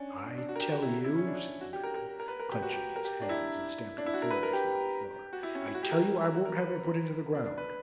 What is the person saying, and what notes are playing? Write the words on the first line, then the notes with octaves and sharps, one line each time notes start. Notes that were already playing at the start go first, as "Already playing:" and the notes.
'I tell you,' said the man: clenching his hands, and stamping furiously on the floor,--'I tell you I won't have her put into the ground.
Already playing: C#4 D4
D4
D4
F#4
A#4
G4
F#4
E4
E4
C#4
D4
F#4
G4
A#4
A#4
A#4
B4
A#4
G4
F#4
G4
A#4
G4
D4
E4
D4
E4
F#4
A#4
B4
A#4
G4
F#4
E4
C#4
E4
F#4
G4
A#4
F#4
A#4
B4
D4
D4
B4